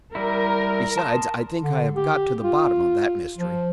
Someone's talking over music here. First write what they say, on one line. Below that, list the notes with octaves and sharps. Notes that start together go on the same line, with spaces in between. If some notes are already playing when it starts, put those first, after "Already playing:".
"Besides, I think I have got to the bottom of that mystery."
G3 E4 A#4
A5 C6 D#6
D3
G4
F4
F3